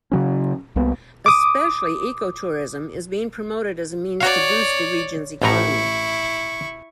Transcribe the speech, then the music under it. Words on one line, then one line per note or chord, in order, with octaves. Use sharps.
Especially eco-tourism is being promoted as a means to boost the region's economy.
C#3 F#3 C#4
C2 A#3 B3
D6 D#6
F#4 C#5 D5 F5
A1 A2 E4 A#5 C#6